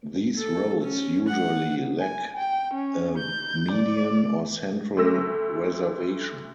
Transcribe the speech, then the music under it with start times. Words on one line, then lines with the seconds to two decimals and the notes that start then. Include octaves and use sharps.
These roads usually lack a median or central reservation.
0.38 A4
0.82 C#4
1.28 F#5
1.99 G#5
2.37 G5
2.74 C#4
3.18 G6
3.72 D5
4.97 D2 A3 E6 A#6